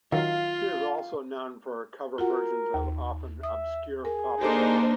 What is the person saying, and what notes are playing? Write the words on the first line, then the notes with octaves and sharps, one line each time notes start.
She's also known for her cover versions of often obscure pop songs.
D#3 F#3 F4 F5
F4 F#4 A#4 F#5
D#2
E5 D#6
G#4 A#4
A#3 D4 D#4 G4 A4 C5 D6